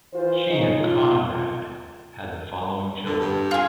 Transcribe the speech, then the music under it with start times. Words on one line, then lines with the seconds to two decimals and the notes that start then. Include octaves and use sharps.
She and Conrad had the following children.
0.13 E3 F4 C5
0.49 C#3 D#4
0.83 F4
3.05 D3
3.19 G2
3.51 F4 G#4